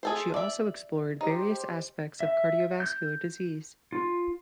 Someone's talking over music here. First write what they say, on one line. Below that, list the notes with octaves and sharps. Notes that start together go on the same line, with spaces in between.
She also explored various aspects of cardiovascular disease.
G#4 A4 C5
D5 E5
D#4 G4 C5
E5
G6
F4